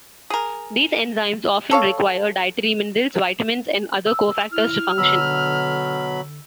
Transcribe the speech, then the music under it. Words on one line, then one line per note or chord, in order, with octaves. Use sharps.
These enzymes often require dietary minerals, vitamins, and other cofactors to function.
G#4 A#4
A4 C#5 F5
E6
E4 F6
B2 D3 F#3 B5 E6